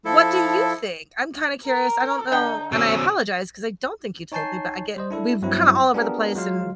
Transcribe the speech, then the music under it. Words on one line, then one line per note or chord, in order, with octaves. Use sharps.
what do you think? I'm kinda curious, I don't know, and I apologize 'cause I don't think you told me, but I get we've kinda all over the place. And,
F3 E4 A4
A#4
D3 D#4 G5
B2 C#4 E6
D#4 C#5 G#5 A5 G6 C7
G3 C5 D#5
D4 E4 A4
G2 F#3 C4 E4
B3 D4 F4 G4 G#4 A#4
F#3 G#3 F4 F5